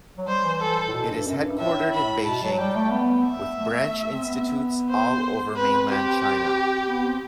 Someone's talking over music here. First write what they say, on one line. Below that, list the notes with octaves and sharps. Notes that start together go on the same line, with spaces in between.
It is headquartered in Beijing, with branch institutes all over mainland China.
F#3
G3 C5
E3
E3 A4
A2
B2
G2
F#2
F#2
G2
A2 E5
B5
B2 A5
F#3
G3 G5
A3
B3
E5
A3
C4
B3
C5
C4 B4
G4
B3
C4